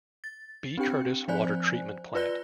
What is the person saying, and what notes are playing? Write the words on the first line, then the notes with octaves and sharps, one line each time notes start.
B. Curtis Water Treatment Plant.
A6
C4 D4 G4 G5 C#7
F3 C4 C5 D5 G#5 F#6
F4 B4 D5 F#6 A#6 G7